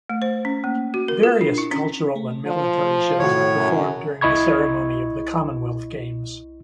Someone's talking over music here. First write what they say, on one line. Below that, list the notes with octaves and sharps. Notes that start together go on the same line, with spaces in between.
Various cultural and military shows are performed during the ceremony of the Commonwealth Games.
A3
C5
C#4
A#3
F#4
A#4
F4
D4
E4
C#4
A3
F3
A2 C3 D#3 F#4 C#5
F#2
C2 E4 D#5 B5 C#6 G#6